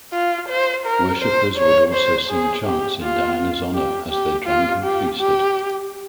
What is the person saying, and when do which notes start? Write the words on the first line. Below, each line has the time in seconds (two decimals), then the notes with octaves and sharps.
Worshippers would also sing chants in Diana's honour as they drank and feasted.
0.13 F4
0.49 C5
0.86 A#4
1.21 C5
1.58 C#5
1.93 C5
2.30 G#4
2.65 G4
3.02 F4
3.74 G4
4.10 G4
4.47 F4
4.83 G4
5.19 G4